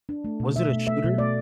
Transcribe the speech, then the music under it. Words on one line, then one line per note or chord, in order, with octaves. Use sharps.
was it a shooter?
D4
A3
B2
B2 E5
A3
A3 E5
B2
A3 D5